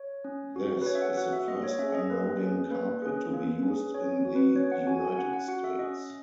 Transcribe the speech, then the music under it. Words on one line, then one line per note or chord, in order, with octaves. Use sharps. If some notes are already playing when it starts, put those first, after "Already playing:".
This is the first unloading carpet to be used in the United States.
Already playing: C#5
C#4
F#4
B4
C#4 C#5
E5
F#5
F#4 F#5
E5
A#3 D#5
C#5
C#4 G#4 E5
D#5
A#3 B4
C#4 G#4
A#3 B4
C#4 G#4
A#3
C#4 G#4
C#4 C#5
F#4
B4
C#4 C#5
F#5
F#4 G#5
G#5
C#4 F#5
F#5
F#4 F#5
E5
C#4 D#5